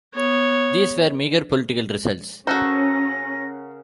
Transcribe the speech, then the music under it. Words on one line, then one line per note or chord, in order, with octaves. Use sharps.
These were meagre political results.
B3 C#5
C#3 C#4 F#4 A4 A#4 C5 F#5 A#6